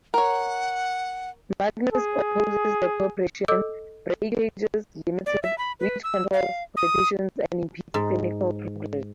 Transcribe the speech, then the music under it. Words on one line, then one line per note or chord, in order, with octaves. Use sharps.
Magnus opposes the corporation "Breakages, Limited", which controls politicians and impedes technical progress.
A#4 C#5 F#5
G#4
A4 D#5 D6 E6
D5
E5
B5
B4
E6
F5
D#6
G#2